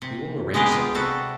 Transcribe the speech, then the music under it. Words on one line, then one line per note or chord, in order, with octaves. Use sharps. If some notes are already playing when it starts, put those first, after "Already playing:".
We will arrange something.
C3
G#3 B3 G4 G#4 A#4
F4
C3 G3 F#4 A4